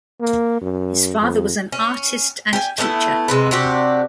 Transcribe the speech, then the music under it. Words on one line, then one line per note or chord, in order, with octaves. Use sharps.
His father was an artist and teacher.
A#3
F#2
F2
C#4
G4 G#5
A3 B3 C#4 E4
C3 G#3 B4
C3 D4 F#4 G4